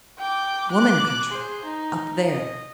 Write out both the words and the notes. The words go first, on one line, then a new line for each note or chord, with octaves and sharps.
"Woman Country--up there."
G5 D6
D6 F#6
G#4 C5
D#4
D#5